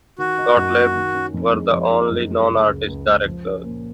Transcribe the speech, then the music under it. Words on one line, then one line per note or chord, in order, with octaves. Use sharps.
Gottlieb were the only non-artist directors.
D#3 F#4
D#4
F#2
A#3
D#3
C#4
F2
G#3
F3
D#4
F#2
G#3
C#3
C#2
C#2
G#3
F3
C#4
A#2